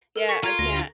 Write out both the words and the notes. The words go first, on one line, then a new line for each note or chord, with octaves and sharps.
yeah I can't,"
A4 A#4
C#6 B6 C#7
F4 A#5 G#6
D2 A#6
A#6